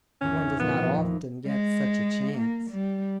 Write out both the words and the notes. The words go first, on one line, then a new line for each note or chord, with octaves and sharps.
One does not often get such a chance.
G#1 E2 C#4
A#2 F3 A3 B3
E2 D#4 C#7
G#3
A#3
G3